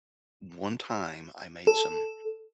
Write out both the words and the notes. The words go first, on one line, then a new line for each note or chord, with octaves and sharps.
one time, I made some
A4